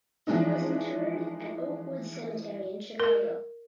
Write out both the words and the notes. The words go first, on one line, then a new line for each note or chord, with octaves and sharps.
He was interred at Oak Woods Cemetery in Chicago.
E3 F3 G#3 D4 D#4
A#4